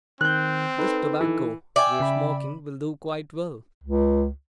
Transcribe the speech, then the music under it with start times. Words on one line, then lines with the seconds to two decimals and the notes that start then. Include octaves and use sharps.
This tobacco we're smoking will do quite well.
0.21 D#3 C4 F#6 G6
0.78 D#4 A4 B4
1.21 E3
1.76 D5 E5 G5 G#5
2.00 C#3 B5
3.83 C#2